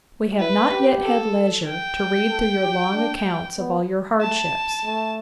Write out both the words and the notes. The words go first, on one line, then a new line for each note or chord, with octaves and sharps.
We have not yet had leisure to read through your long accounts of all your hardships.
E4 B4
G4
A4
G5
A4
G4
D4
B3
A3 A5
A3